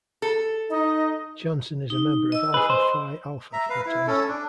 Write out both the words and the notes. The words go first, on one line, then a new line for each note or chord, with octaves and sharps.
Johnson is a member of Alpha Phi Alpha fraternity.
A4
D#4 D#5
D#4
D#5 E6
G#4 B4
C5
E5 A#5
B4 F5
E4
C#4 A4
D4